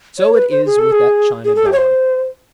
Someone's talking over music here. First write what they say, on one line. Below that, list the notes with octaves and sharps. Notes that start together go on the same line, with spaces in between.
So it is with that china dog.
C#5
B4
C5
G#4
A4
G#4
G#4
A4
G4
C#5
C5